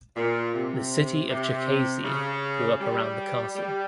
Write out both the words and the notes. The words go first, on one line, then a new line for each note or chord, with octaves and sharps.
The city of Cherkasy grew up around the castle.
A#2
C3
C3
C#3
G3
G3